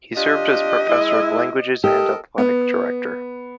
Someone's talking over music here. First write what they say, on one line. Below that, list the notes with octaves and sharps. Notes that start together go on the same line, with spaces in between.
He served as Professor of Languages and athletic director.
D4 F4 G4 D#5
G#3 E4
G4 A4 A#4 D#5
B3